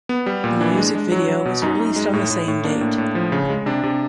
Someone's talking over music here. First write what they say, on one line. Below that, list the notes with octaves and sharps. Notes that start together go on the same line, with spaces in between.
The music video was released on the same date.
B3
G3
A#2
E3 D4
G#3
G#3
F#3
F#3
B2
F#2 D#4
F#2
G#3
A2
A2
A2
A#3 D4
A2
A2
F3
C#3
G#3
C3 D4
C3